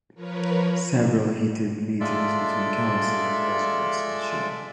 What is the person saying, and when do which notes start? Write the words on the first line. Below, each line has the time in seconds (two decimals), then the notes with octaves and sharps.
Several heated meetings between Council and residents ensured.
0.14 F3 A#4 B4 C#5
2.01 G#3 F4 A4 D5 E5